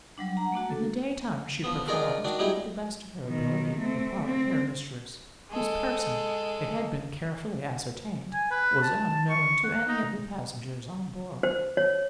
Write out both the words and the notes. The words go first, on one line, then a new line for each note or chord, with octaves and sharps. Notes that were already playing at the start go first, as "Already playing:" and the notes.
In the daytime she performed, to the best of her ability, the part of her mistress--whose person, it had been carefully ascertained, was unknown to any of the passengers on board.
F#3 G3 D4
F#5 A#5
A3 A#3 D4 F#4
A4
F3 B3
D4 D#4 F4 G#4 A#4
D#3 D4 F#4
F#3 G3 D#4 E4 G#4
B2 D#3
A3 C4
C4
G#3 A4
G#5
B4
A5
C#6
F#5
D#4
C5
C#5